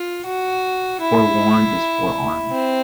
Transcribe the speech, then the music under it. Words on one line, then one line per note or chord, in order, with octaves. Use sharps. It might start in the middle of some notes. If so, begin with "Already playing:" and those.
Forewarned is forearmed.
Already playing: F4
F#4
E4
C4